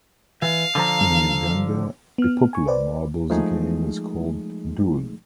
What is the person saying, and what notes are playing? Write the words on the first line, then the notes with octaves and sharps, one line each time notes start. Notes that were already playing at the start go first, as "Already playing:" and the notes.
In Uganda, a popular marbles game is called "dool".
E3 F5
D3 F3 A#5
B3 F6
G#5 C#6
B4 C5 D5
F3 G#3 A3 D#4 G#4